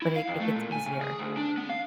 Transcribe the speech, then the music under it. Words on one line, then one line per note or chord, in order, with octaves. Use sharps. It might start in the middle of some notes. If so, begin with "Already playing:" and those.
but it it gets easier.
E4
F5
F2
A3
A#2
G#5
C#3
G#4
D2
D4
B3
F5